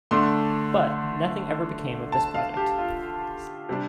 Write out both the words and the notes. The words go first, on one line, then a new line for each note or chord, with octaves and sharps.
But, nothing ever became of this project.
D3 A3 D4 C6
A5
F5
G4
F4
C3 G3 D4